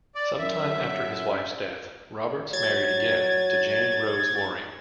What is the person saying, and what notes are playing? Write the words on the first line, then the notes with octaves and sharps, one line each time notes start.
Some time after his wife's death, Roberts married again, to Jane Rose Waring.
D5
F#2 E5
F#3 G#6 A6